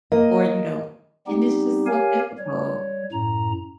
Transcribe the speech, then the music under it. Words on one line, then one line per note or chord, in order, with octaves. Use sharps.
or you don't, and it's just so difficult.
A#3 D#5
G3 B3 C4 D#4 G4
G4 A#4 C#5 F5 G#5
G3 C#5
F#2 A2 A#5